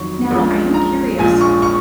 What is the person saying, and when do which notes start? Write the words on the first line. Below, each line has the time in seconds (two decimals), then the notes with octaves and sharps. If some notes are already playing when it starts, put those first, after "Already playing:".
Now, I am curious.
Already playing: F2 D#3 F#3 C#6
0.31 A#1 A#2 G#3 C#4
0.74 A#5
1.18 A#1 A#2 F3 G#3 G#5
1.41 C#6
1.62 C#6